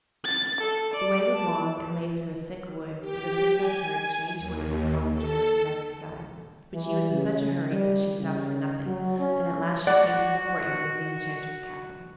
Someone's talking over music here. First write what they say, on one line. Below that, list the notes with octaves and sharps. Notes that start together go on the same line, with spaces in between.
The way was long, and lay through a thick wood, where the Princess heard strange voices calling to her from every side, but she was in such a hurry that she stopped for nothing, and at last she came to the courtyard of the Enchanter's castle.
A6
A4
D5
A5
G4
G#5
D#2
A4
E3
C#3
G3
C#3
F#3
C#4
F#4 D5 F#5